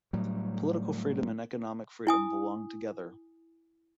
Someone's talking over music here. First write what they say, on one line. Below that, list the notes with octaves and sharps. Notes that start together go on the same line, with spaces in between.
Political freedom and economic freedom belong together.
A2 F#3 G3
E4 G#5 D#6